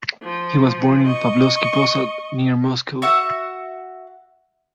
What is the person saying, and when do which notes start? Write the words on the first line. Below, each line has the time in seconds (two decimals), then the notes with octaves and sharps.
He was born in Pavlovsky Posad near Moscow.
0.22 F3
1.07 D#5 C#6
3.02 F#4 E5 F#5